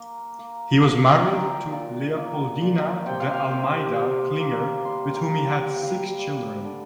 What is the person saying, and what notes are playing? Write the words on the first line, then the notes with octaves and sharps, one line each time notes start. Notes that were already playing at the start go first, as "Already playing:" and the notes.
He was married to Leopoldina de Almeida Klinger with whom he had six children.
Already playing: A#3
A#3
A#3
A#5
A#2 G5
A#2
A#3
A#2
C3 G5
F5
G5
C3
C3
A#3
G3 C6
C6
A#5
G3
G5
A#3 G5
F5
G5
G3
D3